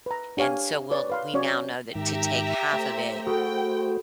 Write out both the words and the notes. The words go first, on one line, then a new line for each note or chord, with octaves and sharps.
and so, we'll, we now know that to take half of it
B4 A#5
D4 G4 C#5 F5 G#5
B4 C#5 D5
B4 F5 C6
C#4 F#4 C#5 D5
G#2 D#3 G4 E5 A#5
A3 C5
F#4 G#4 A4 G5 B5